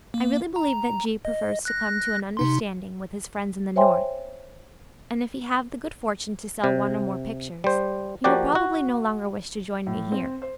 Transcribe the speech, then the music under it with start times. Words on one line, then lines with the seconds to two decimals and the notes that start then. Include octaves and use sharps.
I really believe that G. prefers to come to an understanding with his friends in the North, and if he have the good fortune to sell one or more pictures, he will probably no longer wish to join me here.
0.14 A#3
0.56 A#5
1.25 D#5
1.65 F#6 A#6
2.37 C3 D#4 C6
3.76 C5 C#5 E5 G5 G#5 C6
6.64 C3
7.64 G3 C5
8.24 F3 A#3 F#4 G4 D5
8.55 F#4
9.87 A2
10.12 C4
10.42 C5